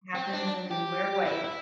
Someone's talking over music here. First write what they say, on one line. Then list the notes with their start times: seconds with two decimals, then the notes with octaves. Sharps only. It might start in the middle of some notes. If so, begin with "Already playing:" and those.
happens in weird ways.
0.15 C4
0.33 D4
0.71 G4
1.25 E4
1.44 E4